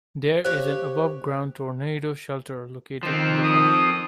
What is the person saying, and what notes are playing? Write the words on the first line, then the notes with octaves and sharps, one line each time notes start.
There is an above ground tornado shelter located in the park.
G4 C5 C#5 F5 F#6
D#3 F3 C4
D#6